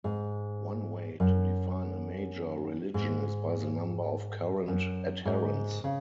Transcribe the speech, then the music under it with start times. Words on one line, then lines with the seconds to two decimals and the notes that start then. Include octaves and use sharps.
One way to define a major religion is by the number of current adherents.
0.04 G#2
1.20 F#2
2.94 G#2
4.68 F#2
5.25 G#2
5.84 C#3